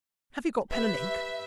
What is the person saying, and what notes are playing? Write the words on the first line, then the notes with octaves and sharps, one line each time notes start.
Have you got pen and ink?
G4 B4 E5